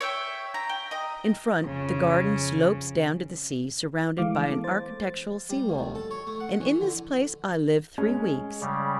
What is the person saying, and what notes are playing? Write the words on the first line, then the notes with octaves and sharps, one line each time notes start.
In front, the garden slopes down to the sea, surrounded by an architectural sea-wall; and in this place I lived three weeks.
C#5 E5 G5
A#5
G5
D#5 A#5
F2 C#3
E3 G#3 A3 F5 D6
B3 A4
C5 A6
G3
D2
D#2
A4
C#5
A3
F#5
E3
D3
G#3 C#4
C#3 G3